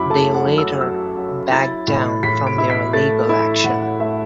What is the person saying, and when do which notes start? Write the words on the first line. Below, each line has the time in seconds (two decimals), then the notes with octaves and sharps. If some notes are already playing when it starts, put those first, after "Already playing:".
They later backed down from their legal action.
Already playing: F#2 F#3 E4 B5 D6
0.10 A3 A5
0.34 F#5
0.46 F#3
0.58 E6
0.81 F#3 E6
1.17 F#3
1.52 E4 A6
1.88 A2
2.23 A2 B6
2.47 D7
2.58 E4
2.70 B6
2.93 A3 A6
3.29 E4
3.64 A2 F#5
3.82 F#5
4.00 A3 E5